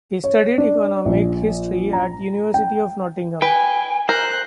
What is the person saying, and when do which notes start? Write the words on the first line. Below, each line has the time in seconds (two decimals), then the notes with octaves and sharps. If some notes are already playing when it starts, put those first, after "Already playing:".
He studied Economic History at the University of Nottingham.
0.24 C#5
0.58 D4
1.06 A#1
1.93 A#5
2.54 G5
3.42 B4 G5 G#5
4.09 A#4 C5 F#6